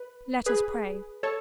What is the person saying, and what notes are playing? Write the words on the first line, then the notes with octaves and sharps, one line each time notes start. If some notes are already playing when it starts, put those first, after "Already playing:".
"Let us pray."
Already playing: B4
G#4 B4
A4 C#5